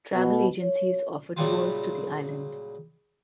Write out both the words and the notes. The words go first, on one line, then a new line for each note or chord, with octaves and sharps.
Travel agencies offer tours to the island.
B2
C#5
A#2 C#3 F#3 G3 E4 F4